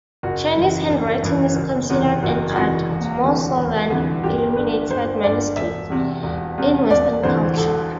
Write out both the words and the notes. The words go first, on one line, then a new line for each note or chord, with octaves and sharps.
Chinese handwriting is considered an art, more so than illuminated manuscripts in Western culture.
F#1 F#4
F#2 E3
F#1
F#2 E3
F#1
E2 C3 E3
F#1 F#4
E2 C3 E3 F#4
E1
D2 C3 E3
E1
D2 C3 E3
G1 G4
G2 D3 B4
G1 C5
G2 D3 D5
E1 E5
E2 C3
E1
E2 C3
E1 D5
D2 C3 E3 C5
E1 A4